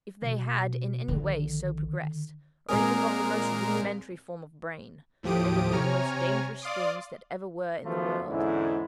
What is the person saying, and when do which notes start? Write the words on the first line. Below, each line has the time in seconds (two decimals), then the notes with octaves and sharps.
If they had in any way so progressed, or even got the most rudimentary form of brain, they would be the most dangerous things that ever were in the world.
0.22 B2
1.08 A#1 D3 D#3
2.69 A#2 G#3 C4 A#4 G#5 D#6
5.23 D#2 A2 F3 G4 D#6 D7
5.72 C3 C#5 G#5 A#5 F6
6.62 D5 F5 C6 D6 D#6
7.85 C#3 F3 F#3 A3 B3 F4
8.28 E2 G#2 D3 C#4 E4